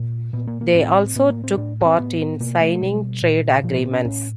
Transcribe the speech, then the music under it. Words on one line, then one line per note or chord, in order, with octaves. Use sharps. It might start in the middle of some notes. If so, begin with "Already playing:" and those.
They also took part in signing trade agreements.
Already playing: A#2
A#2 B3
A#3
A#3
A2 C4
A2 B3
A#3
C4
A2 D4
C4
A2 B3
B2 A#3
A3
B2 G3
A#2
A#2 F3
B3
C#4
A2 C#4